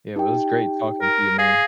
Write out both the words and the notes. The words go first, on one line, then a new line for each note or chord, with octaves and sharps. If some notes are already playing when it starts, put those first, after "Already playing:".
Yeah, well, it was great talking to you, man.
D#4 G4 G5
A#4
G#4 F5 A#6 C7